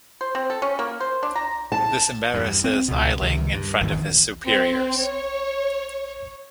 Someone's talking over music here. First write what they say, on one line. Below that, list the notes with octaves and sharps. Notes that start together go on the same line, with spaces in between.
This embarrasses Eiling in front of his superiors.
C5
C4
A4
C#4
A#3
C5
D4
A#5
A5
E2 G2
C4
C#2 B2
C#2 C3 D#3
G2
G#1 E2 G#2
C4
C#5